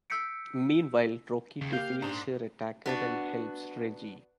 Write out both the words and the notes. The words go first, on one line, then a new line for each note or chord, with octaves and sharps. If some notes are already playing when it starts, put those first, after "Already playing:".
Meanwhile, Rocky defeats her attacker and helps Reggie.
E6 G6 B6 C#7 D7
D#2 C#3
A#3 G4 F5 G6
G#2 D4 A#5 C6
B3 D4 F#4